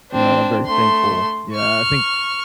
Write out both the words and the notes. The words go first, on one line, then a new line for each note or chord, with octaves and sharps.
you know, and I'm very thankful. Yeah. I think
C4 D4
A3 C6
C#6 F6